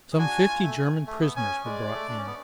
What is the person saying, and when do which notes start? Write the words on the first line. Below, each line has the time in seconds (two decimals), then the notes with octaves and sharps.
Some fifty German prisoners were brought in.
0.12 G#4
0.18 D4 F#4 G#5
0.48 F4
0.62 A3
1.07 A3
1.21 B3
1.36 C#4 G#5
1.65 G#3 D5
1.94 A3
2.09 D4
2.18 C#4
2.26 B3